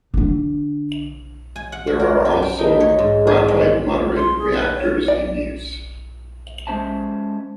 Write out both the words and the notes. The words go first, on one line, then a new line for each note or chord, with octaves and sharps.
There are also Graphite moderated reactors in use.
D3 D4
G#5
F#5
F#4
A#4
G4
G5
D#4
C#5
G#2
G#4
G#3
C6
G#4
B4
C#5
D5
G#3 A3 C#4 C5 E5 A5